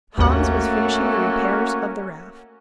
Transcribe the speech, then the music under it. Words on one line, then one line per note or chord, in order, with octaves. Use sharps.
Hans was finishing the repairs of the raft.
G#1 D#2 A3 A#3 C#4 F#4 F#5